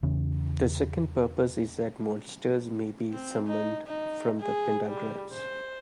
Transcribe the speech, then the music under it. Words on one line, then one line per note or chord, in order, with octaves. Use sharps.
The second purpose is that monsters may be summoned from the pentagrams.
E2 C#3 E3 C#4
C4
D#4
D#4
G#4
G3
C5